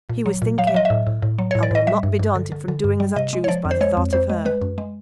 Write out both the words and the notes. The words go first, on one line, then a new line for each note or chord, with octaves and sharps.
He was thinking, 'I will not be daunted from doing as I choose by the thought of her.
A#2
F#3
A#2
F#3 F5
E5
F#3 D#5
E5
A2
A2
A2
F#3
A2 C#5
D5
A2 D#5
G3 E5
G2
G2
D3
D3
D3
G2
G3
C3 D#5
G#3
C#5
F3 D5
F2
C5
G#3 C#5
F2
F2 C5
G#3
G#3 B4
F#2
G#3